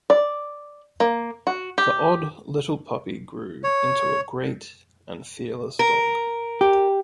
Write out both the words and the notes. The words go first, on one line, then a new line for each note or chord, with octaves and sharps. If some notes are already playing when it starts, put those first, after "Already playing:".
The odd little puppy grew into a great and fearless dog.
D5
A#3
F#4
G4
C#5
A#4
G4